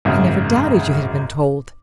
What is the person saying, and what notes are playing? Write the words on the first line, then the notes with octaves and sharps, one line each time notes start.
I never doubted you had been told.
G#1 F#2 C#3